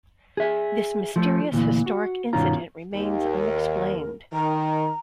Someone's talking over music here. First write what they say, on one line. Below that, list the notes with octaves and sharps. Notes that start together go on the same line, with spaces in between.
This mysterious historic incident remains unexplained.
G#4 E5
F3 A3
D2 A#2 E3
F#4
G2 B2 D#3 C#4 F4 A#5
D#2 G4
A#4
D#3 A#5